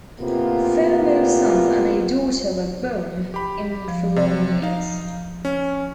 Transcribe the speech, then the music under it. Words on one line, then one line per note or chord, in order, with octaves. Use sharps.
Four more sons and a daughter were born in the following years.
A2 C3 A#3 B3 F4
G4 B5
F3
C3
D#4 F5
C#4